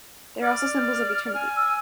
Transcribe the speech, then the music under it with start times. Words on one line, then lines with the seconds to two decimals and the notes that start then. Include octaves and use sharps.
They are also symbols of eternity.
0.42 D5 F6
1.34 G#5
1.55 E6